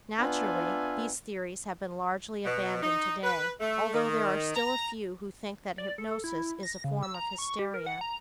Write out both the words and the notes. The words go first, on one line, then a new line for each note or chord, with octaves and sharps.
Naturally, these theories have been largely abandoned today, although there are still a few who think that hypnosis is a form of hysteria.
B3 D4 F4 E5 G#5
B2
D#4
B4
A3
D#3
A#5
D5
A4
E4
A#6
C#3
E6
A#5
C#6
G4
A#4
F#5
A#5